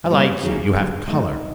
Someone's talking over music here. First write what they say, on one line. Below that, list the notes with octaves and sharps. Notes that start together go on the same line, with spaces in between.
I like you--you have color.
D5
B2 G3 A#3 C#5
D5
C#5
D#3 F#3 A#3 G#4
D3 F#3 A#3
C#3 F#3 A3 D#4